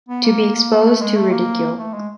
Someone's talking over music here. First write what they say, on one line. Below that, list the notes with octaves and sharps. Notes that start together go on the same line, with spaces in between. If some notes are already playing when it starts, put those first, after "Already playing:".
To be exposed to ridicule.
B3
A#3
A#3
A3
G#3
A3
A#3
A3
G#3